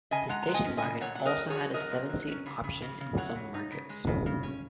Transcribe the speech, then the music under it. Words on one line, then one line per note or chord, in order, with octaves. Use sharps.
The station wagon also had a seven-seat option in some markets.
C#3 D#5 G#5
G#3 F#5 A#5
A#5
G#3
D#5 G#5
C#4
D#5 G#5
C#3
A#2 C#5 F#5
F#3 F#5
A#4 D#5
F#3
G#4 C#5
F#3
F#3 A#4 D#5
A#2
F#3
C#4
C#3
C#3
C#3
C#3
F#3 C#5 F#5
C#3
D#4
C#3
G#3
C#3
C#3
C#4